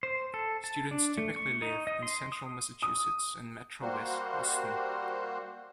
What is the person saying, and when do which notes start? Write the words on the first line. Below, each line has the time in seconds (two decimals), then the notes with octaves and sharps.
Students typically live in Central Massachusetts and MetroWest Boston.
0.03 C5
0.34 A4
0.64 A5
0.91 D4
1.17 A3
1.36 C#6
1.62 D#4
1.87 D#5
2.03 C6
2.32 D#6
2.82 D#6
3.82 G3 A#3 F#4 C5